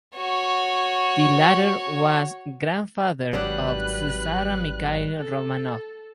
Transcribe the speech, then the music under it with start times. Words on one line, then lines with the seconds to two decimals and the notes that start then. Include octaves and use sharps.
The latter was grandfather of tsar Mikhail Romanov.
0.17 F#4 C#5
3.33 G#1 F#3 G3 D4 B4 F#6
5.18 A4